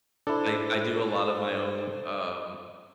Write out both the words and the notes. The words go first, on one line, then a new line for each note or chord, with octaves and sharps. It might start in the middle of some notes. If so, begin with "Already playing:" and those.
I I do a lot of my own, um,
D4 E4 A4 C5